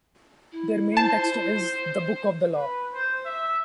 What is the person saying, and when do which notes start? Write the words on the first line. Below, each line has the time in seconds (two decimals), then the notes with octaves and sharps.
Their main text is "The Book of the Law".
0.52 E4
0.97 C5 A5
2.55 B4
2.94 C5
3.26 E5